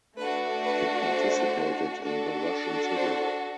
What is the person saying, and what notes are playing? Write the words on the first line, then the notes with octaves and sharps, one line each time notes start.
He participated in the Russian Civil War.
A3 D4 F#4 B4
B4
C5
D4 F#4 A4
C5